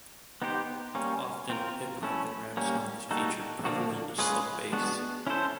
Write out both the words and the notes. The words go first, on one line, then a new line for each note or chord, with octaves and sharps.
Often, hip hop and rap songs feature prevalent sub-bass.
B3 D#4 G4 C5
G3 A#3 C#4
C4 F4 A#4
A3 C#4 E4
G3 A#3 C#4
G3 A#3 D#4 F#4 A4
D3 F3 A#3 D4 F#4
G#3 C#4 F4 G#4 B4
G#3 B3 D4 F#4
C#4 E4 A4 C5